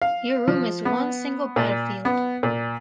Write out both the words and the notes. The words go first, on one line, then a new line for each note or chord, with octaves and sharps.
Your room is one single battlefield.
F5
F3
B3
A#2
B3
A#2